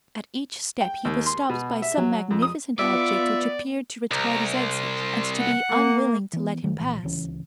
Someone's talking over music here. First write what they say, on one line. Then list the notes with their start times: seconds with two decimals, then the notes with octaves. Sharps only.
At each step he was stopped by some magnificent object which appeared to retard his exit, and to be unwilling to let him pass.
0.81 G5
1.05 D#2
1.26 C6
1.49 B2
1.82 E5
1.97 F#3
2.31 F2
2.42 D#6
2.79 B3 F4 D5 E5
4.11 C2 A#5
4.54 C6
5.38 F#5
5.70 A#3
6.33 E3 B3
6.62 F1 D#3 A3
6.79 A#1 A#2 E3
7.03 D1 C#2 E3 C#4